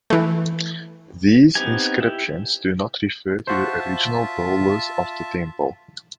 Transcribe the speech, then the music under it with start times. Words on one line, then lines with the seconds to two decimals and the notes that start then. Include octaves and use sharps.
These inscriptions do not refer to the original builders of the temple.
0.10 E3 A3
1.55 B3 C4 D#4 G4 G#5
2.01 E4 G4
3.47 F4 F#4 C5 E5 A5